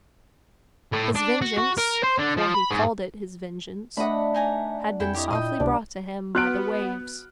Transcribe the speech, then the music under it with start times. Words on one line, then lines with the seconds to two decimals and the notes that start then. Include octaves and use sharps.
His vengeance--for he called it his vengeance--had been softly brought to him by the waves.
0.92 A2
1.15 D4
1.42 F#4
1.58 F#4
1.78 A#4
2.03 C5
2.18 D3
2.37 F3
2.54 B5
2.71 G#2
3.97 A3 D4 D#5 E5 F#5 B5
4.34 D#4 G#5 A#5
5.00 F2 E4 A4 G5 G#5
5.14 E4 G4 C#5 D#5
5.30 A#2 D#5 F5 G5
5.60 C#2 C3 D4 D5
6.35 B3 F#4 F6 F#6 D7